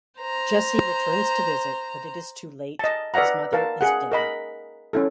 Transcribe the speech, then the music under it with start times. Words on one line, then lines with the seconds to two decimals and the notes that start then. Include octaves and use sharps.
Jesse returns to visit but is too late; his mother is dead.
0.21 C5 A#5
2.79 D#5 A5
3.14 B4 D5 E5 F#5 A#5
3.53 A#4 F5 A5
3.81 G#4 F#5
4.12 A#4 D#5 B5
4.93 C#4 E4 A4